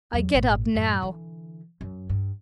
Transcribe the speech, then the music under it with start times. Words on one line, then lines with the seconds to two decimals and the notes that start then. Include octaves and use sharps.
I get up now!
0.13 E2 F#3
0.34 G#1 A#2
0.75 F#2 A2
1.02 D3 E3
1.81 F#2
2.09 G2